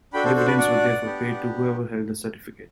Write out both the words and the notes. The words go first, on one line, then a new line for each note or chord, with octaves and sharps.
Dividends were therefore paid to whoever held the certificate.
D4 F#4 A4 G5 B5
A4 C5
A4 C5
B4 D5
D5 F#5
B3 D4 G4